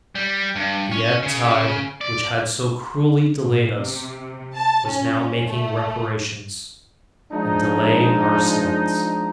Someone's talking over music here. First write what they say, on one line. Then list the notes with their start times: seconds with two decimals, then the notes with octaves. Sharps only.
The ebb-tide, which had so cruelly delayed us, was now making reparation and delaying our assailants.
0.15 G3
0.56 G2
0.92 C#4
1.23 C#3
2.01 D5
3.42 A2
3.76 C3
4.54 A5
4.86 C#4
5.46 A3
7.32 F3 G#3 D4 D#4